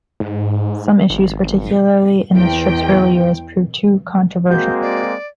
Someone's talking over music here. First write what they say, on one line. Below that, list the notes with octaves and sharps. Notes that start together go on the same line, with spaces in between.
Some issues, particularly in the strip's early years, proved too controversial.
G#2
G#1
E2 G5
G#3 A#3 C4 F#4 G6
D5